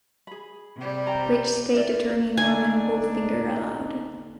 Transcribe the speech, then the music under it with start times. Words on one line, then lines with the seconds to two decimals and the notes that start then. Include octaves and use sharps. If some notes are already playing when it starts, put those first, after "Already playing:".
Which State Attorney Norman Wolfinger allowed.
0.27 G#4 B5
0.76 C3 G3
1.07 C5 G5 A#5
1.73 E4 A#4 D5
2.37 D3 A#3 D4 D#4 G#5